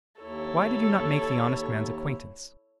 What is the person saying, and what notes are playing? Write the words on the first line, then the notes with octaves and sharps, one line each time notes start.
Why did you not make the honest man's acquaintance?
D#2 E4 A4 C#5